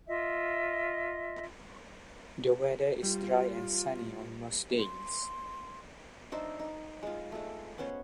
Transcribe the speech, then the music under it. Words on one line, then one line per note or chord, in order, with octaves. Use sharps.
The weather is dry and sunny on most days.
F4 D#5 E5
G3 F4
C6
D4 D#4 C5 E5
D#4
G#3 F4
G#3 A3
B3 C#4 C5 C#5